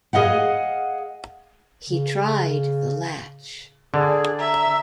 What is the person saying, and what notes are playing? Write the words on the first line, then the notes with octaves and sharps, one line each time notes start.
He tried the latch.
G#4 D#5 F5 F#5
C#3
D3 G#4 D5
E5 A#5